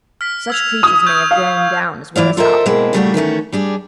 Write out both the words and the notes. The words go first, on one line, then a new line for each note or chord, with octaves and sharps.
Such creatures may have grown down as well as up.
F6 B6
E6 G#6 F7
D#6
C#6 G6 G#6
F5
E3 E4 D5 F5
F4 A4 A#4 C5 D#5 E5
B2 G#3 A#3 C4 E4
A#2 C#3 G3 A3 D4 F#4
D#3 E3 A3 C#4
G3 D4 G#4